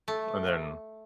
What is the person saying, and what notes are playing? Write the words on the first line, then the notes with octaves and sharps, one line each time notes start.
And then
A3